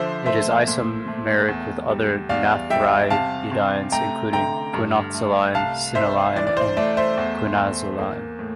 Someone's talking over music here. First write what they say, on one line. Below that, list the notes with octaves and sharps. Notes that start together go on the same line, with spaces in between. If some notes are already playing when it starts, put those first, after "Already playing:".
It is isomeric with other naphthyridines including quinoxaline, cinnoline and quinazoline.
Already playing: D3 F3 C5 E5
A3 C5 E5
A#2
A3
E2
G3
E2 D5 F5
G3 E5 G5
C3 F5 A5
C3
A3 G5 A#5
D3 G5 A#5
G2
A3
C2 F5 A5
C2 C5 E5
E3 D5
D5
C5
A3 D5
C5 E5
E2
E2
A#3
A2